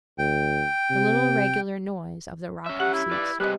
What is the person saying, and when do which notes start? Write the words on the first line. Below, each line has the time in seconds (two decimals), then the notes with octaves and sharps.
The little regular noise of the rocker ceased.
0.18 D2 G5
0.90 C3
2.66 C#4 E5
2.80 G4 F#5
2.94 E4
3.11 B4 D5
3.40 G3 G#3 C4 G4 B4 D#5